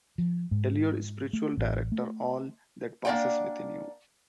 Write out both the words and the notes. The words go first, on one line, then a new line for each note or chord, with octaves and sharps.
Tell your spiritual director all that passes within you.
F3
G#2
A3
A1
A3
A#3 D4 D5 F#5 G5